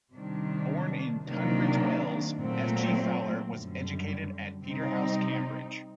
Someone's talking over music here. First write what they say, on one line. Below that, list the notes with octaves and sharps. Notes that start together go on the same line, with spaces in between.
Born in Tunbridge Wells, F. G. Fowler was educated at Peterhouse, Cambridge.
C3 D#3 G3 D4
C3 D#3 F#3 A#3 D4
A#2 F#3 A3 C4
F#2 D3 G3
C3 G3 C4 D#4